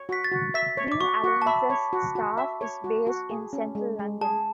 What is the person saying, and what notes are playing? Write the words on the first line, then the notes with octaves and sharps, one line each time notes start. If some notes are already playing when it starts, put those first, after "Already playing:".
Green Alliance's staff is based in central London.
Already playing: C#5
F#4 B6
A6
F#4
E5 B6
C#5
D6
F#4 C#6
F#4
A5
E5 B5
C#5
F#4
F#4
E5
C#5
F#4
F#4
G#4
C#4
G#3
G#3
G#4 A5